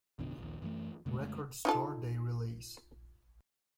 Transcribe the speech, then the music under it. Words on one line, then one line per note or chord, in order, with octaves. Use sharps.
Record Store Day release.
A1 F2 B2 D3
A#1 D#2
F#2 E3 A3
F2 C#3 G#3 A3
D#4 F4 A4